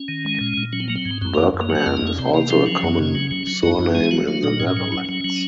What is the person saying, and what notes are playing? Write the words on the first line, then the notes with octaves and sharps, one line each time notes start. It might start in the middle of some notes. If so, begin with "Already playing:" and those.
Bergman is also a common surname in the Netherlands.
Already playing: C#4
D#3
G#3
A#2
A#2
F#3 C#4
C4
F#3 A#3
C4
G#2
F#2 C4
F#2 A#3
F#2
A#3
F#3
F#4
F2 F4
D#4
F2 C#4
C3 C4
C3 A#3
F3 C4
F#3 C#4
F#2
C#3
F#3
F#3
F#3
F#2 D#4
F#2
G#3
G#4
F#3 F#4
F#3 F4
A#2 D#4
G#2 C#4
F#3
F#3
F#3
F#3